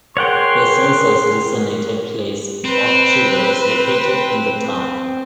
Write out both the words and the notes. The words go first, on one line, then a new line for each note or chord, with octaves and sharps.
The census-designated place of Trego is located in the town.
G#4 A#4 C#5 F#5 G5 C6
C4 B4